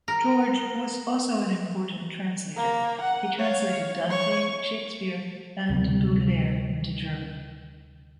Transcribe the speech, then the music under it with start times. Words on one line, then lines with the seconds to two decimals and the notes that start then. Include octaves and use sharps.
George was also an important translator; he translated Dante, Shakespeare and Baudelaire into German.
0.08 A#4
2.56 A#3
3.01 F#5
3.38 C#5 F5
4.10 C#5 C#6
5.70 D2 C3 G3